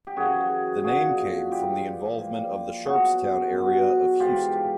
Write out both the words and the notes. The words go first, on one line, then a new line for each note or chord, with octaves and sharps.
The name came from the involvement of the Sharpstown area of Houston.
G4
F#2 C#3 E3 F#4 G#4
A#2 F3 F#4 G#4
G2 E3 F4 G4
A#2 F3
B2 F#3 F#4 G#4
B2 F#3
G#2 E3 F4 G4